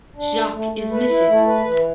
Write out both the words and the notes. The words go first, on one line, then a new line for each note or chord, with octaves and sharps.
Jacques is missing!
D4
A3
A3
A3
B4
E4
A3
B4
E3